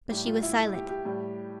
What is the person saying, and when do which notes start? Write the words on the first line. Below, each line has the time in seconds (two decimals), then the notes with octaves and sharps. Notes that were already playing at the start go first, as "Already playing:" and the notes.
But she was silent.
0.10 A2 G3 G4
0.27 F4
0.43 E4
0.74 G4
0.89 G4
1.05 A2 G3